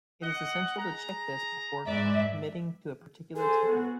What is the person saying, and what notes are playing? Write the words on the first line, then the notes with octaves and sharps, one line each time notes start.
It is essential to check this before committing to a particular technique.
D#5 F#5
G#4 A#5
G#2 G#3 B4 D5 E5
G#4 A4 C5
B3 F#4